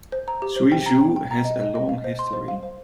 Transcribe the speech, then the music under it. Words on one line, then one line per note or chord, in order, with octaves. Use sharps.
Suizhou has a long history.
C5
A#5
G4
C5
G5
A#5
G5
G5
A#5
D#5
D#5
D#5
F5
C5
C6
C5
F5
C5